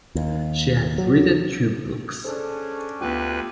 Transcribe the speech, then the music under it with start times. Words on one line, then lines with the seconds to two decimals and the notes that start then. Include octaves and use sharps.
She has written two books.
0.15 D#2
0.98 F#3
2.24 C#4 D4 G#4 A4 C5
3.01 D2 B3 F4 G4 B4 G5